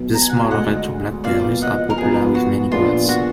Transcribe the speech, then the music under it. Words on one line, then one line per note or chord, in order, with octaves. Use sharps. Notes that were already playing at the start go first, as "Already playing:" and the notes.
The small, red-to-black berries are popular with many birds.
Already playing: B1 B2 F#3 B3
A#5
G#5
F#5
F5 G#5
D2 D3 G#3 D#5 F#5
A#2 F3 B3 D5 F5
D#5 F#5
A#4
F#2 F3 B3 G#4
F#4
A#2 F3 B3 D4 F4 G#4
F#4